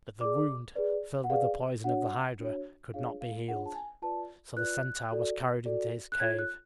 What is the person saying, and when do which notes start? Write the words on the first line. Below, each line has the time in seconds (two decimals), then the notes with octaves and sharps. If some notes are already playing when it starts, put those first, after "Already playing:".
But the wound, filled with the poison of the hydra, could not be healed; so the centaur was carried into his cave.
0.21 G#4 D5 D6
0.75 G#4 B4 D5
1.24 F#5
1.30 G#4 B4 D5 F5
1.84 D4 F#4 C#5 F#5
2.39 D4 F#4 C#5
2.93 D4 F4 G#4 C#5 F5
3.21 F5
3.48 D4 F4 G#4 C#5 F#5
3.66 A5
3.75 G#5
4.02 F4 B4 D5 A5
4.56 F4 B4 D5 F#6
5.11 F#4 A4 D5
5.66 F#4 A4 D5
6.12 F#6
6.20 F4 A4 C#5 G#6
6.39 F#6